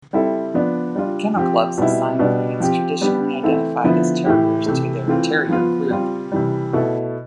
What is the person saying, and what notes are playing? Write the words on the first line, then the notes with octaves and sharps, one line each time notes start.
Kennel clubs assign breeds traditionally identified as terriers to their "Terrier Group".
G3 C4 E4 A4
F3 B3 D4
G3 D4 F4
F3 C4 G4
B2 G3 C4 E4
B2 G3 D4
F3 C4 G4
G3 B3 D4 G4
E3 A3 C4 E4 A4
D3 F3 B3 E4
A2 E3 A3 E4 G4
C3 E3 A3
E3 A3 C4 F4
F3 B3 F4
G3 C4 F4
C3 E3 G3
B2 A3 E4 A4